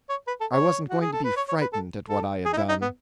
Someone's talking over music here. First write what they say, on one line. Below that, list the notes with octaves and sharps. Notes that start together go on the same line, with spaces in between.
I wasn't going to be frightened at what I had done.
C#5
B4
A4
C#5
F#4
G#4
A4
B4
C#5
C#5
B4
A4
A4
G#4
D#4
E4
D#4
B3